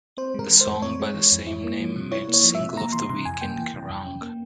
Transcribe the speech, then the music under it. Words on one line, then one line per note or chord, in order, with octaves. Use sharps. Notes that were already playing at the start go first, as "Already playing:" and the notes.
The song by the same name made Single of the Week in Kerrang!
C4 C5
G#3 A#4
E3
C5
F2
C4 C#5
G#3
E3
F2
E4
A#3
F3
C3
E4 C#5
A#3
C#5
F3
E5
C3
A#3 A#5
E3 C6
C3 C6
F2 G#5
A#3 G5
E3
C3
F2
C#4
A#3